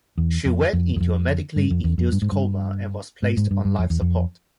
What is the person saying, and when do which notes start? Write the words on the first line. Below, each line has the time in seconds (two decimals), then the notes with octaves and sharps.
She went into a medically induced coma, and was placed on life support.
0.18 E2
0.45 F2
0.73 F2
0.96 E2
1.01 F2
1.56 G2
1.71 F2
1.84 E2
1.98 F2
2.12 G2
2.22 G#2
2.32 G2
3.23 G#2
3.37 G#2
3.51 G2
3.65 G2
3.79 F2
3.90 E2
4.02 F2